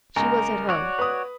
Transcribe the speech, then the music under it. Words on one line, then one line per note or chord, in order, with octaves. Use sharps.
She was at home.
C#2 A#4
F#4 C#5 D5
B4 D#6